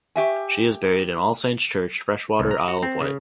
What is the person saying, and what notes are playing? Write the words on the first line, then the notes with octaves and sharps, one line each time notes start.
She is buried in All Saints' Church, Freshwater, Isle of Wight.
G4 E5 G#5
C2
A#5
F#4
C4
C#3